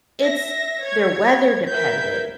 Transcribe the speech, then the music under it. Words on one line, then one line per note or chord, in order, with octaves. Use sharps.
It's they're weather-dependent.
E5 A#6
C#5 G#6
A#4 B4 E5 G6 G#6 B6